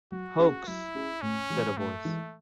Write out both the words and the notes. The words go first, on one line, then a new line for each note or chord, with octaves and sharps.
"Hoax," said a Voice.
F#3 F#4
C#4 G#4
F#3 E4
C#4 G#4
A2 C#4
E3 G#3
A2 A3
E3 G#3